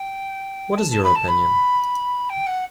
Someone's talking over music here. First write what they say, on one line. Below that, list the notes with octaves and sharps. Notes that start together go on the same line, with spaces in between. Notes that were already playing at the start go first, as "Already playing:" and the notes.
What is your opinion?
Already playing: G5
A5
A5
B5
A5
B5
G5
F#5